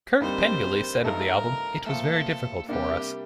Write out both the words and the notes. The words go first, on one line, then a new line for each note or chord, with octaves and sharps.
Kirk Pengilly said of the album, It was very difficult for us.
F2 D3 G3 A#3 D#4 C5
G2 F3 A3 D#4 A4 A#4
A#2 F3 A3 A4
C3 G3 A#3 D4 G4